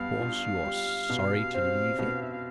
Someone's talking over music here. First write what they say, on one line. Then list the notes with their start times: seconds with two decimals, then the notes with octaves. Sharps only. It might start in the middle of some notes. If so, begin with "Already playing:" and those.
"Because you are sorry to leave it?"
Already playing: G2 B3 F5
0.20 F4
0.64 G3
1.09 B2
1.54 C4
1.99 B2
2.21 E5
2.32 F5